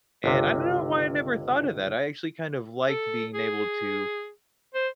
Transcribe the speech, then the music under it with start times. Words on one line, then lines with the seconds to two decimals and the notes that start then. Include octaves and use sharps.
and I don't know why I never thought of that. I actually kind of liked being able to,
0.24 G1 C#2 C3
2.89 A4
3.34 G#4
4.75 C5